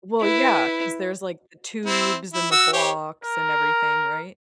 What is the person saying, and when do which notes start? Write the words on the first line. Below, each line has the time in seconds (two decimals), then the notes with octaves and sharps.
Well, yeah, 'cause there's, like, the tubes, and the blocks, and everything, right?
0.21 E4 B4
1.86 C4 E4
2.34 E4
2.52 F#4 E6
2.73 G4 C5 C#5
3.24 A#4